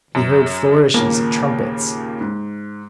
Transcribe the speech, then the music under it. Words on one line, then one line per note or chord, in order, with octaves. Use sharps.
He heard flourishes of trumpets.
F#2
D#2 A#2 C#3 A#3
G#2